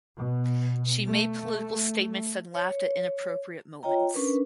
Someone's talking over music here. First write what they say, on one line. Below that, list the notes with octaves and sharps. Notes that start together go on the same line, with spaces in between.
She made political statements and laughed at inappropriate moments.
B2
A3
C#5
F4 C#5 D#5 G5 A#5
C#4 D4 A#4 B4